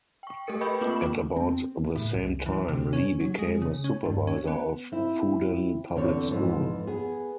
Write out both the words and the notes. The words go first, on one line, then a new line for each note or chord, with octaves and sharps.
At about the same time, Li became a supervisor of Fudan Public School.
G5 C#6
A3 G4 A4 A#4 C#7
B4 D#5 G5 B5 C#6 G6
A#3 C4 F4 D6 E7 F#7
C4
A2
C2
E3
C3
C#4
F#3
G#3
C#3
C#4
G2
C#4
B3
C4 E4
E2 D3 C4 C#5
F2 G#2 E3
B3 G#4